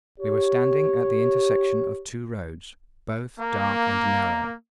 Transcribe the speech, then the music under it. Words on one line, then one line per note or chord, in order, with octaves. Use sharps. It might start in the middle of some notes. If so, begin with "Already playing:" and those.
We were standing at the intersection of two roads, both dark and narrow.
G4 C#5
A#3